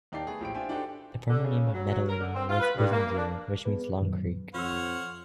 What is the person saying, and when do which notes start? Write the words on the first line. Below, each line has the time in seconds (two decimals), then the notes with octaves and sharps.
The former name of Nedelino was "Uzundere" which meaning "Long Creek"...
0.12 D#2 D#4 G4 D5 A5 C7
0.27 A3 B3 G#4
0.40 A#1 A2 G4 C5 G5 D7
0.54 D4 F4 G4 C5 E5 G#5
0.69 D4 D#4 F#4 G4 A4 C5
1.28 D3
1.44 C#3
1.74 F#3
1.90 F#3
2.08 A#4
2.20 D3
2.34 C4
2.48 F4
2.60 B4
2.77 G2
2.91 A#3
3.17 D4
3.65 B3 G#4 B4
4.01 F#2 A#2 D#3 F#3
4.54 F2 F4 C5 C#5 F#5 E6 F6